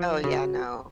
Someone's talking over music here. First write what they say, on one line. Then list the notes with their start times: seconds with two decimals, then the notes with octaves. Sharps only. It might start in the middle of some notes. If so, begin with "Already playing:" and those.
Oh, yeah, no.
Already playing: F3
0.24 C#3 F#4